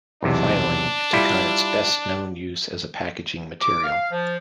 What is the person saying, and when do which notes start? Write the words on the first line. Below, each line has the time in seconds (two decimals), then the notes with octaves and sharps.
Finally, it took on its best-known use as a packaging material.
0.23 B1 E2 C3 D4
1.13 G3 E4 F4
3.61 D6
3.83 F5
4.10 F3